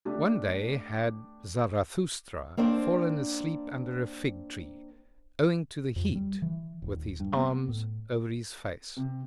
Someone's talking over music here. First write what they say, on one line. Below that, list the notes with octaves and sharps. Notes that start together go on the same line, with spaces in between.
One day had Zarathustra fallen asleep under a fig-tree, owing to the heat, with his arms over his face.
A3 D4 G4
A#3 C4 D4 C5
F2
G3
E3
D#1
G2
B3
A2
C3